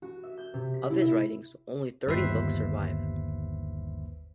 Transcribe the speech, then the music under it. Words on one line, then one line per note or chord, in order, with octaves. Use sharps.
Of his writings, only thirty books survive.
F#4
E5
G6
C3
B6
E4
E5
G1 D#2 B4 C5 E5 C7